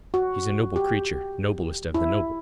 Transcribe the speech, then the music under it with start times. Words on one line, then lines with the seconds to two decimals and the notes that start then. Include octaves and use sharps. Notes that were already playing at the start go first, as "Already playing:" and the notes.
She's a noble creature, noblest of the noble.
0.14 F#4
0.76 G4
1.94 E4